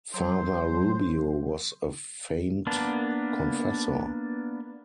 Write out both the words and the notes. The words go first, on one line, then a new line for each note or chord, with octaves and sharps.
Father Rubio was a famed confessor.
F#3 C5
A#3 B3 D4